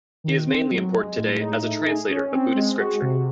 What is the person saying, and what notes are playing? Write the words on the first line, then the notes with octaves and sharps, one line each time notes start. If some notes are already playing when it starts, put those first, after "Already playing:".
He is mainly important today as a translator of Buddhist scripture.
D#3
C4
F#3
G#3
A2
D#4
A3
G#4
C#4
C4
G#3
F#4
C3